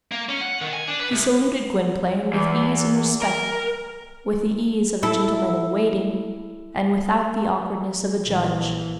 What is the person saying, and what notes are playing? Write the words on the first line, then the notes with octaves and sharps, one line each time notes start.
He saluted Gwynplaine with ease and respect--with the ease of a gentleman-in-waiting, and without the awkwardness of a judge.
A#3
C#4
F#5
D#3
G#5
D4
B4
C2
E2
A#4
E4 A4
A#1 E3